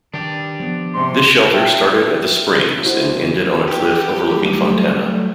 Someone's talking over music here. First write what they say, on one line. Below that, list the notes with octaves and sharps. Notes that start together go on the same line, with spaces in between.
This shelter started at the Springs and ended on a cliff overlooking Fontana.
D#3 D4 G4
F3 B3
G#2 C3 C6
E5 G5 A5
E4 F#4 C5
C#2
G4 F#5 G5
F#3 G3 A3